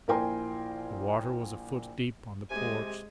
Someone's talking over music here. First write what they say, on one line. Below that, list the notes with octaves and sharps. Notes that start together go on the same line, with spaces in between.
The water was a foot deep on the porch.
A#1 E4 A#4 G5 G#5 C6
C3 G#3 G#5